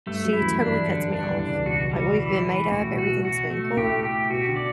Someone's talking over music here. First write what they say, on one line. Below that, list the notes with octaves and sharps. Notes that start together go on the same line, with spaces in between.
she totally cuts me off. Like, we've been made up, everything's been cool,
G2 G3 A3
F#2 F#3
E4
E2 E3
G2 G3 D4
D3
G2 G3 D4
E2 E3
D4
C#2 C#3
B2 F#4
G3
E3
E3
A2 F#4
B2
F#4
B2
F#4
A3
A2 G4
G4
B2 F#4
D3
D5